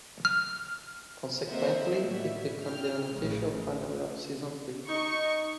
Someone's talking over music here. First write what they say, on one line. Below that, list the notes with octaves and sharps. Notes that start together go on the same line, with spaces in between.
Consequently, it became the unofficial finale of season three.
F6
A#3 C4 C5 D#5 E5 F#5
A2 G3 F#4 C#5 E5
G5 F6
A1 A2 C#3 F3 G#3
D#4 C#6